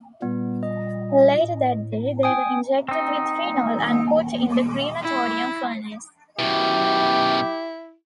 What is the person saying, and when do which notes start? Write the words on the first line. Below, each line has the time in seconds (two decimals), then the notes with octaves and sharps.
Later that day, they were injected with phenol and put in the crematorium furnace.
0.22 A#2 G3 B3
0.63 D#5
1.42 A2
2.23 G5 G#5 D#6
2.89 C4 D#4
5.02 E4
6.39 F#2 B2 E4 G4